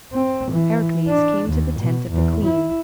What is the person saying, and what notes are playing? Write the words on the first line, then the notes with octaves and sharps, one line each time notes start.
Heracles came to the tent of the queen.
C4
E3
D4
D#2
B2
E2
E4